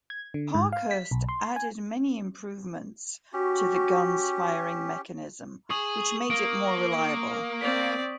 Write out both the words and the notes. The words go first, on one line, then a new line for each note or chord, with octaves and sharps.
Parkhurst added many improvements to the gun's firing mechanism which made it more reliable.
G#6
D3
G#2
F5
B6
B1
C6
G#5
C#4 F#4 G4
G#4 C#6 D#6 F#7
A#3 D7
C4 D5 B6